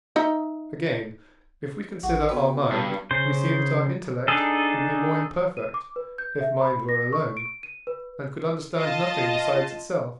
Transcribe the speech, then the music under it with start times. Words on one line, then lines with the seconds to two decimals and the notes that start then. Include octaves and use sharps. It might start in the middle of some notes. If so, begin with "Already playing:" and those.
Again, if we consider our mind, we see that our intellect would be more imperfect, if mind were alone, and could understand nothing besides itself.
0.16 D#4 D#5 E5
2.03 A1 F#4
2.29 B3 F#4 B4 G5
2.72 G2
3.11 C#3 C5
4.28 D4 D#4 G#4 A4
5.57 D#7
5.74 D6
5.96 B4
6.18 G6
6.41 E5
6.61 B5
6.89 A#6
7.13 C#6
7.37 D7
7.63 D#7
7.87 B4
8.76 F4 D#5 A5